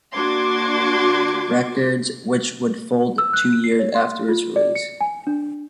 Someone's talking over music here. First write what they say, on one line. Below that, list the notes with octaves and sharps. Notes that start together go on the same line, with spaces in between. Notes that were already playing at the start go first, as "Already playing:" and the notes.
Records, which would fold two years after its release.
A#3 D4 F#4 C6 D6 G#6
E6
F#6
C7
C#5
C6
F4
D5
C#7
G#5
D4